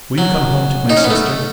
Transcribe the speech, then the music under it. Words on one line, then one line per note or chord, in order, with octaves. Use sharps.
Will you come home to my sister?
F#3
D#4
C#4
B3
A3